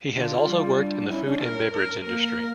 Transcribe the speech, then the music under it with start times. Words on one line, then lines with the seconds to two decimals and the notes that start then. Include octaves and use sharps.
He has also worked in the food and beverage industry.
0.15 D3 F4
0.47 G3
0.78 D4
1.10 C#4 E4
1.25 D4
1.41 A#4
1.73 A#4
2.05 A#3 A#4